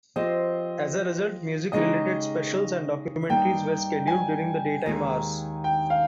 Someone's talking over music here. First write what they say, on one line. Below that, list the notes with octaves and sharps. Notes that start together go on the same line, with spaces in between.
As a result, music-related specials and documentaries were scheduled during the daytime hours.
F3 C4 G4 C5 D#5
C#3 G#3 D#4 G4 D#5
G2 G3 A#3 D#4 G5
G#5
D#2 D#3 G#3
G5
F5